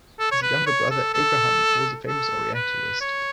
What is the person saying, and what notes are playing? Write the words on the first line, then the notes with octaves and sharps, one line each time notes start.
His younger brother Abraham was a famous orientalist.
A4
C#5
B4
C#5
A4
A4
A4
B4
C#5